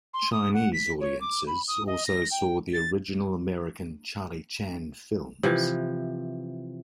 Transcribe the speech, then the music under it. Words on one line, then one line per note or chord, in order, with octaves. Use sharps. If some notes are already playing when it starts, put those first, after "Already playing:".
Chinese audiences also saw the original American Charlie Chan films.
C6
D#6
F#5
B6
C#5
D6
B5
D#6
D#5
A#6
G5
A6
C3 E3 F3